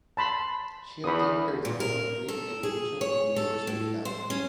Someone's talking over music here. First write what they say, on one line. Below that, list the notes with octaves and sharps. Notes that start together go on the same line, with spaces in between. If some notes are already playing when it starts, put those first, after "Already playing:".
She obtained her Diploma degree in Education from University of Ghana.
A5 B5 C6
E2 B5 D#6
A#2
A#4
A4
G#4
C#5
A4
A2
C5
C#4